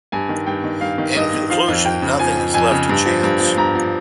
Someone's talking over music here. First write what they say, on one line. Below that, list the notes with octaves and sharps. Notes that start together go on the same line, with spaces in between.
In conclusion, nothing is left to chance.
G2 G#5
D#3
G2 G5
D#3
G2 F5
D#3
G2 D#5
D#3
F3 F5
F2
F2 G5
C#3
F3 G#5
F2
F2 G#5
C#3
G2
F3
G2
F3
G2 A#5
F3